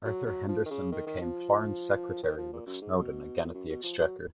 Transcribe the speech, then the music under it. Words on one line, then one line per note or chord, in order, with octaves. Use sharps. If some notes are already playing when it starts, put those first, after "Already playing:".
Arthur Henderson became Foreign Secretary, with Snowden again at the Exchequer.
F#3
F#3
F3
D#3
C#3
D#3
D#3
F3
D#3
F3
A#2
F#2
G#2
B2
F2
F#2
B2
F3
F#3